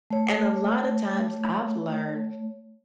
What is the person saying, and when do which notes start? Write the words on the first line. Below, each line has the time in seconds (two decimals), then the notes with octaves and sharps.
and a lotta times I've learned
0.11 A3 C#5